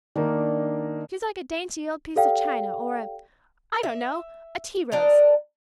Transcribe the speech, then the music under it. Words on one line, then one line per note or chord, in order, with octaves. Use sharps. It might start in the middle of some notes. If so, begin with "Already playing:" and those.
She's like a dainty old piece of china, or a--I don't know, a tea rose!
D#3 A#3 D4 D#4
G4 A4 D5 F5 G5
E5
D4 A#4 D#5